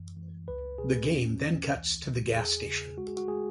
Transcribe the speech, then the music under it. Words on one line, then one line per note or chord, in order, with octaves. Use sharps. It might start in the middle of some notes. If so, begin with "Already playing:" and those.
The game then cuts to the gas station.
Already playing: F#2 E3
E3
C#2 B4
B2 G#4
E2 C#4
E3
C#2
C#3
E2 G#4
C#3
G#3 F#4
G#4
F#4
G#3 G#4